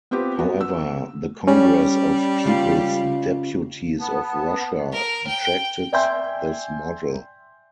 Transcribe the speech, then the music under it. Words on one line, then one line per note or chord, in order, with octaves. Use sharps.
However, the Congress of People's Deputies of Russia rejected this model.
B3 C4 F4 G4 B4
B3 F#4
E6
G3 C#4
C#3 F4 F5
B3 A5
A#4
G5
D5 E5 G5 G#5 C6 G6